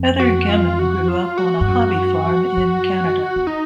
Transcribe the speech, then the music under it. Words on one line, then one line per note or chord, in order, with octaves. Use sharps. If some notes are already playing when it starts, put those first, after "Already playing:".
Heather Gemmen grew up on a hobby farm in Canada.
Already playing: F2
F#4
F4
F#4
F4
F#4
G2
F#2
F#2
E2
D#4